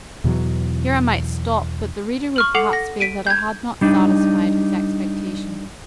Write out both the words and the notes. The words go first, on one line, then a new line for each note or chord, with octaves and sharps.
Here I might stop; but the reader would perhaps feel that I had not satisfied his expectations.
E2 B2 E3 F#3
C#6 F6 F#7
A4 F#5 D6 C7 F7
F#5 A#6
B6 D7 D#7
G6 G#6
G3 D4 D#4